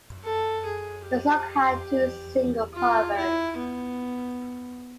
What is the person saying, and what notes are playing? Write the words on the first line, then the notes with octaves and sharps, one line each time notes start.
The song had two single covers.
A4
G#4
G4
F4
E4
B3